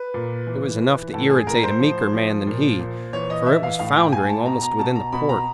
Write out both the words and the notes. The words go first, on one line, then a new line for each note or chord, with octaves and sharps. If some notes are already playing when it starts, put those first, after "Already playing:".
It was enough to irritate a meeker man than he; for it was foundering almost within the port.
Already playing: B4
A#2
E3
E3
A2 A4
G#4
A2 A#4
C5
F3
F3
A#2
A#2
E3 C#5
D#5
E3 E5
F5
A2 F5
G5
A2 G#5
A5
B2 A#5
A#5
B2 A5
A#5
B2 B5
A#5